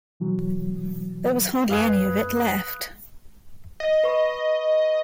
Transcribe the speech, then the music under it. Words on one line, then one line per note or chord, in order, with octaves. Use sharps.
There was hardly any of it left.
B2 E3 F#3
F#2 G#4 B4 F5
D#5
B4 C#6